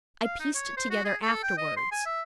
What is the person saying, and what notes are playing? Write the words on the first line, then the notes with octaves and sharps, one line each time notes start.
I pieced it together afterwards.
F5
D#4
C#5
C5
F#4
G#4
A4
G5
D#5
C6
G#5
E5